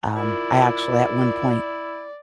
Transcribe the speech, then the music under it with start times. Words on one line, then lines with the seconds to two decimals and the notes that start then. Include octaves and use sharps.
um, I actually at one point,
0.16 E4 F4 A#4 D5